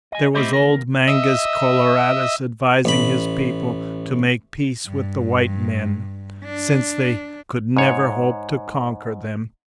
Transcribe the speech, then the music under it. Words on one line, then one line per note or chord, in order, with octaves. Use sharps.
There was old Mangus Coloradus advising his people to make peace with the white men, since they could never hope to conquer them.
D#5 G#5
A3 C4 E4 G4 C5 D#5
D#2 A#4
D#5 E5
A1 B5
G2
D4
G#2 C#5